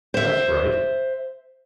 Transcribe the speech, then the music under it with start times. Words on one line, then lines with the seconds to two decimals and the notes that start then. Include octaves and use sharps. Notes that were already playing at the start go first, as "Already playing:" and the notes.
That's right.
0.14 C5 E5